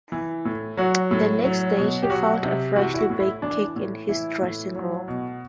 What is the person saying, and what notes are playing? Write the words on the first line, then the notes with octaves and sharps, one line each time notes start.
The next day, he found a freshly baked cake in his dressing room.
E3
A2
F#3 F#4
A2
F#3
B2
G4
F#3 F#4
C3
E3 F#4
E4
F#4
A2
E4
E3 D4
A2
E3 E4
A2
F#3
B2